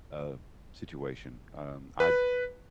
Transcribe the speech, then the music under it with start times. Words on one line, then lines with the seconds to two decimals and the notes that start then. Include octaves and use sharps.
uh, situation. Um, I
2.00 B4